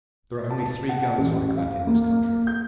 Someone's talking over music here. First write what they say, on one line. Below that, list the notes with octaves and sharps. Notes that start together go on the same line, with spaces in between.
There are only three guns like that in this country.
A5
F#5
A1
F5
A#3
G6